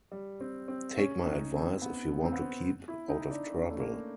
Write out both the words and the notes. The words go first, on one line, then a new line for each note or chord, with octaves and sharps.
Take my advice if you want to keep out of trouble.
G3
C4
C4
C#4
D#4
C4
B3
C4
B3
C4
E4
D#4
D4
C#4
A3
A#3